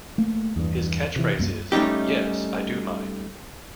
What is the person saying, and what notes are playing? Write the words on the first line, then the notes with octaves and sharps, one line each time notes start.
His catchphrase is Yes, I do mind!
A3 A#3
E2 G2
C3 E3
C2 F#2 G3 A#3
G3 A3 C#4 D#4 G4